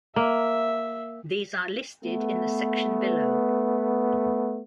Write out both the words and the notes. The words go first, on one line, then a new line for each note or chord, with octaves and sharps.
These are listed in the section below.
A#3 E5
A3 B3